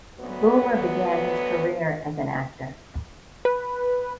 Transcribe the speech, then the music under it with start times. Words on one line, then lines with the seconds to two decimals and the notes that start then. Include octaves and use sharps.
Boomer began his career as an actor.
0.19 D2 F#3 B3
3.45 B4